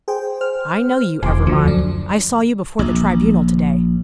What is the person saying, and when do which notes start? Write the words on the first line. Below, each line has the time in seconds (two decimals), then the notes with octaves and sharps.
I know you, Evremonde; I saw you before the Tribunal to-day.
0.08 G#4 C5 G5
0.41 C5 F6
1.23 E1 G#5 C6 D6
1.47 D2 D3 F3
1.67 F#2 D4
2.79 A#1